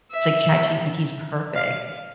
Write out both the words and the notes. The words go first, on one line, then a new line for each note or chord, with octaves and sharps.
it's like ChatGPT is perfect.
E5
F5